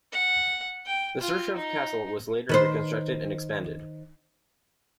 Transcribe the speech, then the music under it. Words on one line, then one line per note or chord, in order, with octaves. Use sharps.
The Sychrov Castle was later reconstructed and expanded.
F#5
G5
F4
D#4
D#3 B4 C5